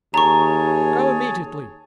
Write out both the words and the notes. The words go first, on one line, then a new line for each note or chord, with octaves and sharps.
Go immediately.
D#2 G#4 C#5 A5 A#5 C#6